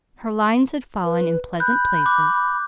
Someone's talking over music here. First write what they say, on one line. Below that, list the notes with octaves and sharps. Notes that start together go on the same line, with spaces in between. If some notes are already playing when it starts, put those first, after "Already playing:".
Her lines had fallen in pleasant places.
B4
B5 F#6 G6
D6 F#6